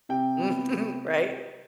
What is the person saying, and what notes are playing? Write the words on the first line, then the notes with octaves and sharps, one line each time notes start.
Mhm, right?
C3 G5
B3
C3